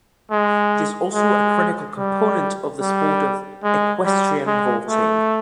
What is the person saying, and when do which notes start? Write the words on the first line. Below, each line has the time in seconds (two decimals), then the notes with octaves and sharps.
It is also a critical component of the sport of equestrian vaulting.
0.31 G#3
1.14 G#3
1.97 G3
2.81 G3
3.63 G#3
4.05 G3
4.47 G#3
4.88 A3